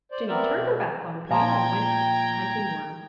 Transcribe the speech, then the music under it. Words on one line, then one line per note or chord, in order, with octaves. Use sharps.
Jenny turned her back on Peter and went to hunting worms.
C5 D5
B3 C4 A#4 D5 E5
B2
A#2 F3 G5 A#5 G#6